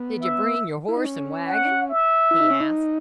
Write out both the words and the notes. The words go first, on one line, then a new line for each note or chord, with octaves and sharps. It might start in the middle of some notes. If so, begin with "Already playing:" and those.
"Did you bring your horse and wagon?" he asked.
Already playing: B3
E5
E4
D#4
C#4
F#5
E5
E4
D#4
C#4
D#4